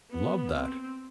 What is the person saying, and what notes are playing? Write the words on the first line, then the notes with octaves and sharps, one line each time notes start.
Love that.
B3
C4